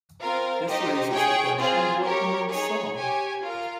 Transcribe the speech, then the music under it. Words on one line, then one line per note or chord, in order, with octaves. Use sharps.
This raises the question of what the monks saw.
C4 F4 A#4 F5
D#4 G4 C5 D#5
G#4 C#5 G5
C4 F4 G#4 C5
G4 A#4 C#5
D#4 G#4 C#5
G4 C#5 G#5
F4 A#4 F5